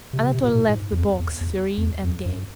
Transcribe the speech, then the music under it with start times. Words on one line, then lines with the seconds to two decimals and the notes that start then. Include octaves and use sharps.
Anatole left the box, serene and gay.
0.13 C3
0.24 C3
0.35 C3
0.44 A#2
0.55 A2
0.69 G#2
0.92 E2
0.98 F2
1.19 E2
1.41 E2
1.78 F2
1.83 E2
2.04 F2
2.26 F#2